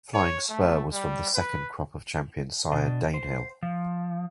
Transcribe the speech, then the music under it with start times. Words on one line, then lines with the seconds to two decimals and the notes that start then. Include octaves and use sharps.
Flying Spur was from the second crop of champion sire Danehill.
0.14 C#5
0.50 A3
0.92 G3
1.35 B4
2.72 B2 D4 D#5
3.14 C5
3.63 F3